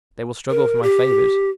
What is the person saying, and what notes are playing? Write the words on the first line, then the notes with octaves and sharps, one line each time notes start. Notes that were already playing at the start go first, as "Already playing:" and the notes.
They will struggle for my favors.
A#4
G4